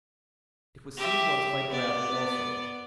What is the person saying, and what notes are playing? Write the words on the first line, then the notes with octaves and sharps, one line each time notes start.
It was seen once by Bradley also.
G4 E5
B3 D5